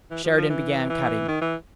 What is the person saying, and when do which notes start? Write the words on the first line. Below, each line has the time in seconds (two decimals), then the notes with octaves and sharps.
Sheridan began cutting.
0.11 E3
0.24 F3
0.37 F3
0.50 E3
0.90 E3
1.28 D#3
1.42 E3